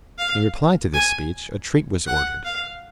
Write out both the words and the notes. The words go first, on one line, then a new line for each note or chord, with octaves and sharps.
In reply to this speech a treat was ordered.
F5
G#5
F#5
F5